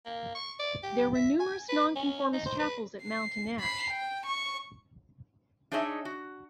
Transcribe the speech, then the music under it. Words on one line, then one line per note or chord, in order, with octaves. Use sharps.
There were numerous nonconformist chapels at Mountain Ash.
A#3
C#6
D5
G4
E5
G#5
B4
C#4
D#4
C5
B4
C7
B5 C7
G5
C#6
D4 D#4 G#4 C#5 D#5 E5
F#4